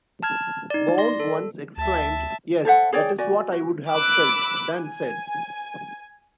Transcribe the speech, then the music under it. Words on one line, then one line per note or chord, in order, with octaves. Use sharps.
Bourne once exclaimed: Yes, that is what I would have felt, done, said!
A5 F6 G#6
D#4 D5
D5 C6 A#6
A4
D2 E5 A5
A4 C5 E5 F#5
G#4 C#5 D5 G5
F#4 D5 G#5
F#4
B5 D6 E6 F#6 D7
G#5